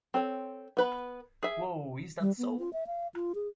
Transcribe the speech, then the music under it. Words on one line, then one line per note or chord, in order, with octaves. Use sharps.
Wow Is That So?!
C4 A4 C#5
B3 B4 B5
G#4 E5
G3
B3
F4
E5
F5
F4
G#4